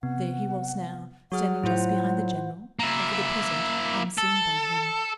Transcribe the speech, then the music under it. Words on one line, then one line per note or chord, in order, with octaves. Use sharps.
There he was now, standing just behind the General, and for the present unseen by him.
C3 B3 F#5
F#3 F#4 G#4 F#5 F6
A2 E4 F4 C5
A#3 E4
A4